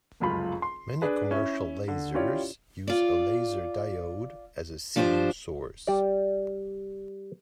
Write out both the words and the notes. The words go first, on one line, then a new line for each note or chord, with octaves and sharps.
Many commercial lasers use a laser diode as a seeding source.
F1 C#2 F#2 F4 B5
C6
D4 G#4 B4
C#4 E4 E5
D3
C#4 E4 F4 G4 C#5 D5
F4 D5
F3 D4 G4 C5
G3 D5